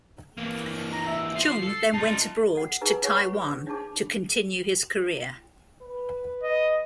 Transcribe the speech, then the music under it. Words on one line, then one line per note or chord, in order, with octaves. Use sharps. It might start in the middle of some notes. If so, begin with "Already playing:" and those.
Cheung then went abroad to Taiwan to continue his career.
E3 A#3
A#5
E5
F3 C7
A4
D#4 F4 A5
A4 F#5
D#4 G#4 B4 G#5 A#5
E4 G#4 C#5 F#5 G#5 C#6
D4 D#4 G#4 A5 D6
B4
D#5